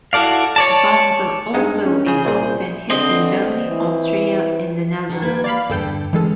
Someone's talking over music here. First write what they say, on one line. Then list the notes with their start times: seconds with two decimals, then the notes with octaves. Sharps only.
The song was also a top ten hit in Germany, Austria and the Netherlands.
0.13 E4 F#4 A4 D5 F5
0.56 C#5 D5 A5
1.54 G2 G#3 D#4
1.86 C#4
2.06 C#3 G#4 G6
2.25 C2 A#2 G#4
2.90 D3 C4 B4 D#5
3.69 E3
5.10 F#3 D4 A4
5.22 A#3 G4 B4 G#6
5.44 D5 F5 B5
5.70 E2 G2 D3 A4 G5
6.13 E3 G#3 C#4 A4